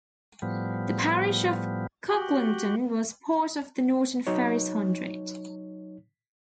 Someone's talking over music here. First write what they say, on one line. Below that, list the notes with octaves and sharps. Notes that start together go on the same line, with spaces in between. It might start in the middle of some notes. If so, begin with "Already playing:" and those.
The parish of Cucklington was part of the Norton Ferris Hundred.
A2 F3 G3 B3
F#4 G4
F#3 D#4 C#5